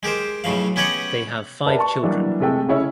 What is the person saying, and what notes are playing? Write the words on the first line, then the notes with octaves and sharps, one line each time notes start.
They have five children.
G#3 G4 A#4 C5
B1 A2 C#3 F3 F5
B3 C#4 G4 C#5 D#5 F#5
G4 A#4 B4 D5 E5 A5
A5 C#6
E3 F#3 G3 A#3 D4
C3 G#3 A3 A4 G5
C#3 C#4 E4 C#5